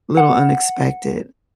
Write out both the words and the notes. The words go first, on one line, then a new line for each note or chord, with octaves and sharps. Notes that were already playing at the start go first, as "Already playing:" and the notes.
little unexpected.
F#5